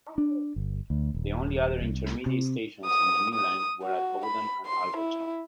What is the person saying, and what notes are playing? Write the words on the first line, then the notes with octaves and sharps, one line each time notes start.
The only other intermediate stations on the new line were at Bowden and Alberton.
D4
G1
D2
D#1
C2
C3
D#6
D#6
F#4
B5
C6
E4